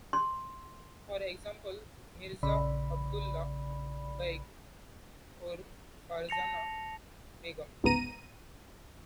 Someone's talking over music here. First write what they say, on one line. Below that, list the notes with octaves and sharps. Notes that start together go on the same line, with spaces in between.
For example: Mirza Abdullah Baig or Farzana Begum.
C6
A#1 C#3 D5 B5
A5 A#6 C#7 F7
G1 C#2 G#2 B3 A#5 D#7